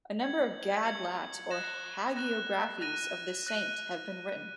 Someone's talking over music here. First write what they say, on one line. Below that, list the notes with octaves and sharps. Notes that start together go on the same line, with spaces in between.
A number of "gadlat" or hagiographies of this saint have been written.
G#6 C#7 F#7
G#6 C#7 F#7
F#6 A#6 E7
F#6 A#6 E7
F#6 A#6 D#7
F#6 A#6 D#7